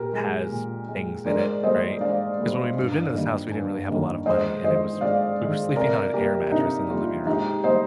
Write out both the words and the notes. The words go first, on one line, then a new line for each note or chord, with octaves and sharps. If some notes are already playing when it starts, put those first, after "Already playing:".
has things in it, right? 'Cause when we moved into this house, we didn't really have a lot of money, and it was we were sleeping on an air mattress in the living room,
Already playing: A#2 G4 A#4
G#3
A#2
G#3
G#2 A#4 D5
G3 A#3 C5 D#5
G#2 D5 F5
G3 A#3
G2
D#3 G3 A#3
G2
D#3 G3 A#3
G#2 C5 D#5
D#3 G#3 C5 D#5
G#2 D5 F5
D#3 G#3
C3 A#4 D5
G3 A#3 G4 A#4
C3 D#4
G3 A#3 F4
G#2 D#4 G4
G3 A#3 C5 D#5